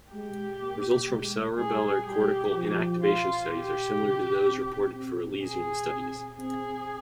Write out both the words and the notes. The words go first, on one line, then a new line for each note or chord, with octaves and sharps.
Results from cerebellar cortical inactivation studies are similar to those reported for lesion studies.
G#3 G4
A#3
G#3
G3 G#4
G3 G4
F3
F4
G4
C#3
C4
C4
G#4
C4
C4 G#4